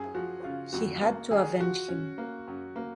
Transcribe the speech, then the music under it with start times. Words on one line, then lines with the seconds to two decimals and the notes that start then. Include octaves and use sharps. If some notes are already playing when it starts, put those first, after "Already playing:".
He had to avenge him.
Already playing: F#2 G#4
0.14 F3 F#4
0.44 C#3 F4
0.73 F2 F#4
1.02 A#3
1.31 D#3 G#4
1.59 F3 F#4
1.88 C#4
2.18 A#3
2.48 F#2
2.76 A#3